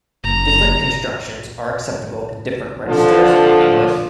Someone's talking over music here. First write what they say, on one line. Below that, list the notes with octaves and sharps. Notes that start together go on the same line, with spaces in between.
Different constructions are acceptable in different registers of English.
F#1 A#5
D3 F3